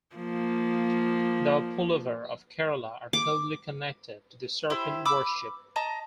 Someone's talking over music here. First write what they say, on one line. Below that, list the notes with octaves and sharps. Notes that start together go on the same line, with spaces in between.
The pulluvar of Kerala are closely connected to the serpent worship.
F3 A#3
D6
E4 G4 C5
B5 D6 E6
D#5 A5 A#5